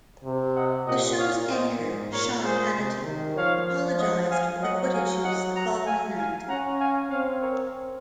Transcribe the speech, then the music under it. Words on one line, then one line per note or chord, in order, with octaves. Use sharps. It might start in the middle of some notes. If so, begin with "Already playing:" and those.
The show's anchor, Sean Hannity, apologized for the footage use the following night.
C3
D#5 F#5
A#2 D#5 F#5
C#5 F5
A#2 C5 D#5
G#2
A#2 A#4 C#5
G#4 C5
C3
D#3
F3 C#5 F5
D#5 F#5
F5 G#5
F#3 D#5 F#5
F5 G#5
D#5 F#5
F#5 A#5
F5 G#5
F5 G#5
C#4 F#5 A#5
F5 G#5
C4 C#5 F5
A#4 C#5